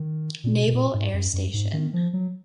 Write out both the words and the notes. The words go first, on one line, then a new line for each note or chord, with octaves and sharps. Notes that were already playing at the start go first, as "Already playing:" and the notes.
Naval Air Station.
Already playing: D#3
A#2
B2
B2
A#2
G#2
F#2
F#2
G#2
D#3
F3
F#3